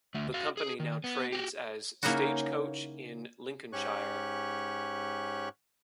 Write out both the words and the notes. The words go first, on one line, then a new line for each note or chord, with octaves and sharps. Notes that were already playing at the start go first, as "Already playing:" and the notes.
The company now trades as Stagecoach in Lincolnshire.
D2 A3
F#4 F5
G#4
D#3
B3
F#4 G4
C#3 A#3 C#4 D#4 E4 F#4
G#2 C#4 G4 C#5 C#6 F#6